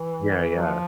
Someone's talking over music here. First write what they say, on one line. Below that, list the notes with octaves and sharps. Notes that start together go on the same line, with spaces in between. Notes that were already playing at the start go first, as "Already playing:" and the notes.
Yeah. Yeah.
Already playing: E3
F#3
F3